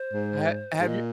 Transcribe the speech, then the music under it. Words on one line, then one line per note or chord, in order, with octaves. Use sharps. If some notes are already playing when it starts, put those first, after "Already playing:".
ha have you
Already playing: C5
G#2
G#2
A#2 D#5